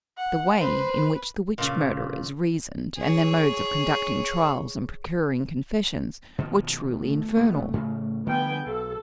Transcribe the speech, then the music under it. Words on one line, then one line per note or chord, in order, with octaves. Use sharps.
The way in which the witch murderers reasoned, and their modes of conducting trials and procuring confessions, were truly infernal.
F#5
B4 C5
A#2 C#3
G#4 C#5
B2 D#3 F3
A3
E1 B3
A2 C#3
D3 F3 G3 B3 G5 G#5
B1 A4